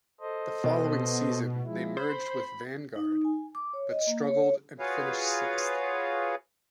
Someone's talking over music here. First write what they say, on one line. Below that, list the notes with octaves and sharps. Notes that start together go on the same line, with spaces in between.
The following season, they merged with Vanguard, but struggled and finished sixth.
A4 C5 D#5
B2
F3 G#3 E4
C5 B5
D#4
D#4
G#5
D6
C#5
D#5
A#3
C#5
F4 F#4 G#4 B4 C#5 F5